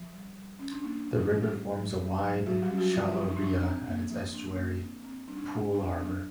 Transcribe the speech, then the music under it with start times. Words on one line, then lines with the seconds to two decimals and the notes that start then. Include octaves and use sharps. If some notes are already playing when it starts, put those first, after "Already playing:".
The river forms a wide, shallow ria at its estuary, Poole Harbour.
Already playing: F3
0.13 G3
0.36 G3
0.59 C#4
0.72 D4
0.83 A#3 D#4
0.95 D4
1.06 F#3 D#4
1.18 E3 E4
1.30 F3 C#4 F4
1.41 G3 G4
1.53 A3
1.77 F#3
2.00 F#3
2.23 F#3
2.46 F#3 F#4
2.62 G3 G4
2.70 C#4
2.78 F#3 F#4
2.93 F3 F4
3.05 F3 F4
3.17 F3 F4
3.29 D#4
3.37 D4
3.40 F3 D#4
3.63 C4
3.87 A#3
4.11 F3
4.34 A#3 D4
4.57 A#3
4.81 C4
5.04 C4
5.27 G3 D4
5.37 D#4
5.46 G3 D4
5.74 D4 D#4
5.98 F#3 D4